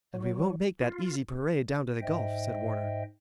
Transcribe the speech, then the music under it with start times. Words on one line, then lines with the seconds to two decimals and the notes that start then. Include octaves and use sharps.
"And we won't make that easy parade down to the Gulf," said Warner.
0.14 F#3
0.81 F4
2.01 G#2 C5 D#5 E5 G5